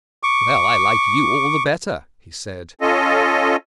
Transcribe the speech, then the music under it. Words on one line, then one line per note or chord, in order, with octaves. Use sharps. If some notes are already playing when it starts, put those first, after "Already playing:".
"Well, I like you all the better," he said.
C#6 D6
C#4 F4 A4 D#5